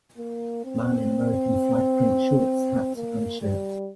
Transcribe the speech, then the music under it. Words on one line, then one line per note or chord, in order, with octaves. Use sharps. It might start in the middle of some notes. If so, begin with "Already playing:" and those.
Man in American Flag print shorts, hat, and shirt.
A#3
C4
A#3
G3